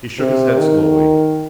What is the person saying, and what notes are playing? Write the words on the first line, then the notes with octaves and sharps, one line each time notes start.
He shook his head slowly.
C3
D#3